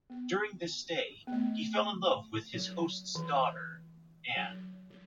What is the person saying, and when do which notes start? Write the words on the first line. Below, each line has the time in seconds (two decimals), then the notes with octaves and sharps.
During this stay, he fell in love with his host's daughter Anne.
0.10 B3
1.27 B3
1.32 A3
2.54 F#3
3.15 E3
4.36 F#3
4.90 F#3